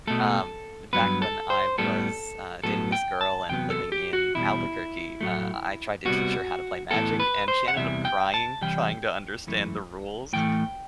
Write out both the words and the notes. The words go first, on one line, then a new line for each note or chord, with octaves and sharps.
Um, back when I was, uh, dating this girl and living in Albuquerque, uh, I tried to teach her how to play Magic, and she ended up crying trying to understand the rules.
B2 A3 A4
G2 F#3 B3 B4
A4
C5
A2 G3 B3 A4
A2 F#3 B3 A4
G5
A5
E2 C3 F#3 B3 G5
A4
G4
F#4
E2 B2 G3 E4
A2 F#3 A3
C3 G3 B3 F#4
A2 E3 B3 A4
B4
C5
F#5
E2 C3 E3 G3 E5
G5
A5
C3 E3 G3 G5
F#2 E3 A3
A2 E3 A3 G5